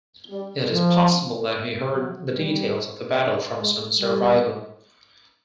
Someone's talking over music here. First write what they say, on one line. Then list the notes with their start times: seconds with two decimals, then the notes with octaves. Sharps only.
It is possible that he heard the details of the battle from some survivor.
0.30 G3
0.72 F3
1.95 F#3
2.35 G3
3.58 G#3
3.99 G3